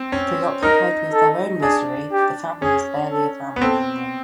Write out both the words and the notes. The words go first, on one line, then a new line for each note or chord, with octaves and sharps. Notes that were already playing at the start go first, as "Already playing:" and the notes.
Preoccupied with their own misery, the family is barely a family anymore.
Already playing: C4
C#4
D#4 A#4
A4
D4 G#4
G4
C#4 G#4
A4
B3
C4 A4